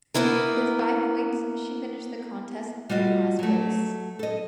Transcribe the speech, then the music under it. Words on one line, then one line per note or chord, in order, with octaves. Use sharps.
With five points, she finished the contest in last place.
A#3 B3 E4 A#4
G3 F4 F#4 D#5
F#3 A3
A4 D#5